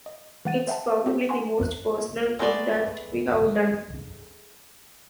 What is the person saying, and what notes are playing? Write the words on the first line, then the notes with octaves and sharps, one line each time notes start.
It's probably the most personal thing that we've done.
D#5
E3 A3 F#5 A6 D#7
C5 E5 F#5 G5 A5
C4 G4 A4 C5 F5
B4 F#5 G#5 A#5 C6 C#6
A1 E2 G2 A#4 C5 F#6
G#3 A3 B3 F#4 D5